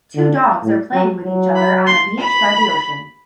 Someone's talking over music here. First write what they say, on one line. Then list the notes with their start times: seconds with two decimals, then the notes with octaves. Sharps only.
Two dogs are playing with each other on a beach by the ocean.
0.15 D3
0.62 A2
0.93 F#3
1.24 F#3
1.56 B5
1.87 C6
2.18 B5